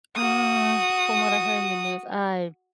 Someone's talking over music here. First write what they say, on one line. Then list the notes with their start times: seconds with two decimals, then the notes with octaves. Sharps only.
Uh, from what I heard in the news, I
0.16 F#4 D#6